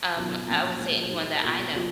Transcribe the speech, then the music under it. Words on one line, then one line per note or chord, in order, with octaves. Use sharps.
Um, I would say anyone that I know.
B2 F#3 C#4 F4
A#2 F3 A#3 C#4
A#2 F3 G#3 C#4
G#3 D#4 F#4
B2 A#3 F4
C#3 F#3 B3 F4